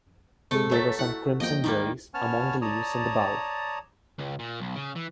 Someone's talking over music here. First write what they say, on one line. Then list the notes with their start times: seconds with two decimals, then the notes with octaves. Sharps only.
There were some crimson berries among the leaves in the bowl.
0.51 C3 G#3 A3 A4
0.71 F#3 C#5 E5 A6 B6
0.99 E4 F#5
1.40 F3 A#3 D#5 G5
1.64 D#3 G3 A#3 D#4 A#4
2.14 B3 C#4 C#5 A5 F6
2.62 C#5 D5 A5 A#5 D#6
4.19 C#2
4.39 A#2
4.60 B1
4.75 C#3
4.95 E3